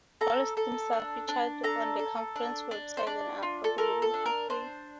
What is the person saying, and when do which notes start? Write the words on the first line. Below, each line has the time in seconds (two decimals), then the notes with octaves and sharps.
All streams are featured on the conference website and are available for free.
0.21 A4 A#5
0.57 A4
0.93 D4
1.28 D4
1.63 A4 A#5
1.99 A4
2.36 D4
2.71 D4
2.97 C5
3.07 D4 D5
3.43 F4
3.64 A4
3.78 A4 A#4
4.02 A4
4.14 D4
4.26 A#4
4.50 D4 C5